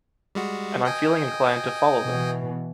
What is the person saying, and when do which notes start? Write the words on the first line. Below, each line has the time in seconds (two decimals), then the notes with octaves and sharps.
And I’m feeling inclined to follow them.
0.35 G3 G#3 F#4
0.85 D#5 G5 G#5
2.03 B2 E3